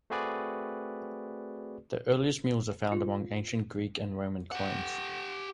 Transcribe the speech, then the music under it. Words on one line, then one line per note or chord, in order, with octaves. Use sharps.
The earliest mules are found among ancient Greek and Roman coins.
A3 C4 F#4 G#4 B4 D5
F4
G4 F#5